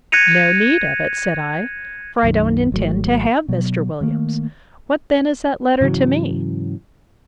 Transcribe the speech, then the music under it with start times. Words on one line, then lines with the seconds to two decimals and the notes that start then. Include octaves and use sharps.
No need of it, said I; for I don't intend to have Mr. Williams: What then is that letter to me?
0.12 F#6 G#6 A#6 C#7 D#7 F7
2.23 B1 F#2 D#3
2.72 G#1 F#3 A3
3.48 B2 F#3
4.01 D#3 A3 A#3
5.81 G#2 C#3 E3 F#3